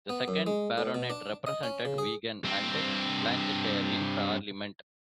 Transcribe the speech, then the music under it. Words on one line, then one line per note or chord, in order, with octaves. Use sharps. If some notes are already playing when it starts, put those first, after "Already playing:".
The second Baronet represented Wigan and Lancashire in Parliament.
B3
F#2
G#3
A2
B2
D4
D#5
C#4
C#3
G#4
G2 C4